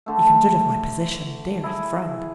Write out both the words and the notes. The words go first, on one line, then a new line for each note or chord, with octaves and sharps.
You can judge of my position, dearest friend.
D3 A3
E4 G#4